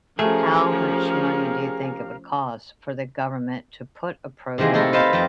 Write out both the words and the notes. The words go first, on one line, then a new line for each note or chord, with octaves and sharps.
How much money do you think it would cost for the government to put a program
F3 A3 C#4 G4 G#4 A#4 F5
C3 D#3 E3 G#3 A#3
A3 D#4 E4 A4 A#4
B4 C5 D#5 F5 A5
F2 G5 A5 A#5